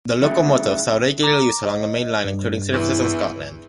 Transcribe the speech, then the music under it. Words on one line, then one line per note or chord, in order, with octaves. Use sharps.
The locomotive saw regular use along the mainline, including services in Scotland.
C#3 F#3 A3
A#5 D6
D#5
G2
E2 E3